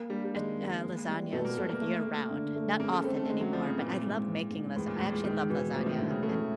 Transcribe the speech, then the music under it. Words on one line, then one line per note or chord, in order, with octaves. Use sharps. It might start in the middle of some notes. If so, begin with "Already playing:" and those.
it uh, lasagna, sort of, year round, not often anymore, but I love making lasa I actually love lasagna, and,
Already playing: A#3
G3 D4
G3
D#3 G#3
A#3
A#3
G3
B2 A3
A#3
B2 A3
A#3
A3
A3
D3
A3
C#3 A#3
A3
A3 C4
A3
G#3 A3
F#3
F3 C4
C#3
A#2 E3
G#2
G#2
G#2
E2 A2
A#2
A2 G#3
A#2
D#3 G#3
B2 E3
A2 F3
D#3
A2 D3
C#3
C#3 A3